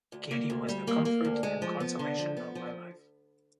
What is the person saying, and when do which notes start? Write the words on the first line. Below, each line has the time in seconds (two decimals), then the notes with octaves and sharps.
Katie was the comfort and consolation of my life.
0.12 D2
0.31 A#3
0.50 D2
0.69 G3
0.87 A#3
1.05 A#3
1.25 D2
1.43 G#3
1.62 F3
1.80 B3
1.99 D3
2.19 F3
2.37 B3
2.55 F3